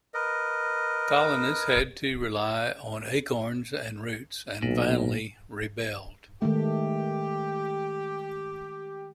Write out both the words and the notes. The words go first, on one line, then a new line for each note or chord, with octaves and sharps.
Colonists had to rely on acorns and roots and finally rebelled.
A#4 B4 D#5
B1 A#2
D#3 G#3 A3 G4